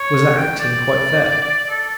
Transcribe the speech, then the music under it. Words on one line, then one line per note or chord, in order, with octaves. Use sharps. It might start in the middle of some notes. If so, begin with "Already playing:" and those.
"Was that acting quite fair?"
Already playing: C#5
G5
D5
A4